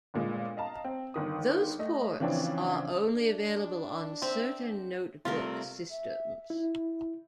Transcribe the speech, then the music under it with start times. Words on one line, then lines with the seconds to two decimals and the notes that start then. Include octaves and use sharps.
Those ports are only available on certain notebook systems.
0.14 G1 A#2 G#3
0.57 D#5 F5 A5 A#5
0.84 C4
1.14 G1 D#3 D#6
1.79 A3 D#5
2.20 C#3 E3 F3 C4 D4 C#5
3.15 D4
4.22 C4 E5
5.25 C3 G3 A3 F4 A#4
5.91 E5
6.50 E4